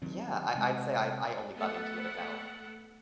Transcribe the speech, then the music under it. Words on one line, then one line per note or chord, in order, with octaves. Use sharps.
yeah, I I'd say I I only got into it about,
D#3 F#3 C4
C3 G#3
A3 B3 A4 F#5